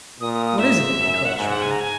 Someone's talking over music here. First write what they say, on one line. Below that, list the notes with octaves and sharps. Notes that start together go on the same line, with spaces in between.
"What is it?" he cried, shrinking.
A#2 D#6
D#6
D#6
G#2 E5
F#2
F#5
G#2 E5
F#5
G#5
A#5
G#5